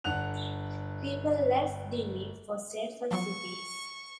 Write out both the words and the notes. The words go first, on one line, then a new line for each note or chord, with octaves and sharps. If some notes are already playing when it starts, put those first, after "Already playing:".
People left Delhi for safer cities.
G1 D4 F#5 F#6 F7
F3 F#3 B3 C#6